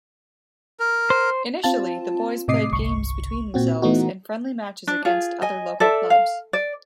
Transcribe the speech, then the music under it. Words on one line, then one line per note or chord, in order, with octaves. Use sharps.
Initially, the boys played games between themselves and friendly matches against other local clubs.
A#4
C5
C4 F4 A5
A2 C3 D#5 D6 D#6 C7
G1 C2 C#6
A#2 C4 F#4
E3 A3 B3 D#4 F#4
D4
F4 G#4
D#5 G#5
A4 D5 E5
F5
D5